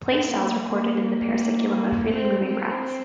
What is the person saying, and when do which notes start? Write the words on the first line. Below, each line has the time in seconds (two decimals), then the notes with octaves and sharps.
Place cells recorded in the parasubiculum of freely moving rats.
0.25 A#3
0.62 A#3
1.73 A#3
2.09 C4
2.46 C4